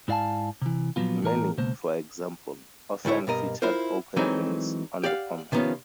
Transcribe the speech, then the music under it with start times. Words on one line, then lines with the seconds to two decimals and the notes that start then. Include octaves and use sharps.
Many, for example, often featured open rings on the pommel.
0.08 G#2 E4 D5 F5 G#5 A5
0.62 C3 E3
0.96 A#2 F3 F#3 B3 F4
1.22 A2 E3 A#4 A#5
1.58 C#2 B2 A#3 C5
3.05 D2 A2 A3 E4 C#5
3.27 G2 B2 A#4 D#5
3.62 E4 F4 A#4 C5
4.16 E3 F#3 G#3 A3 C4 D#4
5.04 G4 D5 D#5 F5 F#5
5.52 C3 D#3 F3 B3 C#4 F4